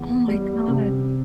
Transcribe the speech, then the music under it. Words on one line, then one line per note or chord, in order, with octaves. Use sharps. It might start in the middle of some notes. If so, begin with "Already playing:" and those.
Oh my god.
Already playing: E2
G3
C3